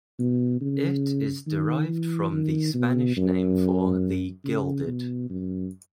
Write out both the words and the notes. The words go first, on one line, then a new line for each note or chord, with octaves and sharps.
It is derived from the Spanish name for "the gilded".
B2
C#3
D#3
E3
D#3
B2
F#2
C#3
B2
F#2